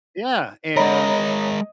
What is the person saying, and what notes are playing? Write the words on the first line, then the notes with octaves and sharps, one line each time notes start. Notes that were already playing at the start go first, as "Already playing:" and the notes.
Yeah, and
G#3 A#4 C#5 D#5 A#5 B5